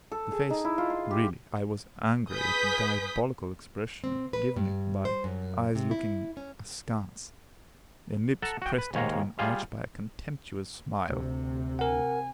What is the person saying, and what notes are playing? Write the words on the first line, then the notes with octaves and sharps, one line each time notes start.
The face--really, I was angry at the diabolical expression given it by eyes looking askance, and lips pressed into an arch by a contemptuous smile.
A4
G#4
D#4
E4
F4
C6
G4
G#4 B4 D#6 G6 B6
C4
B4
G2
C5
F#2
C3
E4
C#4
A4 F#5 A5 A#5
F#4 G5
B4
D#2 G#2 C#5 F5 A#5
G3 F4 G#4 F5
D2 C3
A#4 F#5 G#5